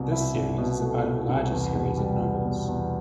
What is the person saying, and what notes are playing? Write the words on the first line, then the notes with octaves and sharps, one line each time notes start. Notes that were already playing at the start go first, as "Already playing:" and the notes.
This series is part of a larger series of novels.
Already playing: C2 B2
E4
C2
B2
A3
B2
C2
E2
B2
G3
G3
B2
E2